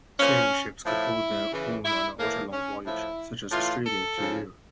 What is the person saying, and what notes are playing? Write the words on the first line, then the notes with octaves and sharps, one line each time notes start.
Sailing ships could hold their own on ultra-long voyages such as Australia to Europe.
A#2 F3 C#4
A2 F3 E4
C#3 E3
E4
A2 E3 A#3
C#4
A2 F3 E4
A2 E3 F4
A4
C#3 F3